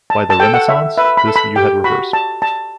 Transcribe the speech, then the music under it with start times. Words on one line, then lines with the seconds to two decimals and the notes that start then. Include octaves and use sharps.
By the renaissance, this view had reversed.
0.10 A5
0.30 A5
0.40 A4 G5
0.54 F#5
0.68 E5
0.97 B4 E5
1.17 B5
1.26 A4
1.36 B5
1.56 G4 G5
1.84 F#4 B5
2.13 A5
2.42 A5